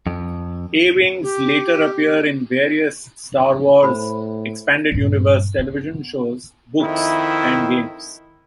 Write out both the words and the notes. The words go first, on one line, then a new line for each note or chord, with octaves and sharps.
A-wings later appear in various "Star Wars" Expanded Universe television shows, books, and games.
F2
G4
A2 C5 B5
G2 A#2
B3
F2 D#3 E4